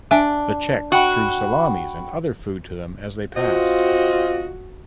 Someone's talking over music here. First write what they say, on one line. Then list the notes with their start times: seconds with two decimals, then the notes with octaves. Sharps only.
The Czechs threw salamis and other food to them as they passed.
0.11 D4 E5 G#5 D7
0.92 F#4 F#5 G5 B5
3.36 C4 F4 F#4 D#5